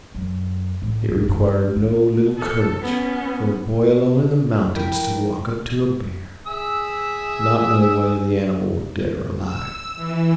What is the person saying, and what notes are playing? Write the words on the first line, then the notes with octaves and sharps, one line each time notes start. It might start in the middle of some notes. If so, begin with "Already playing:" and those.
It required no little courage for a boy alone in the mountains to walk up to a bear, not knowing whether the animal were dead or alive.
F#2
A2 C3
C2
G2
B3
A4
B3 C#4
F3 E4 A#4 G5 B5
G#4 E5 E6
E6
E3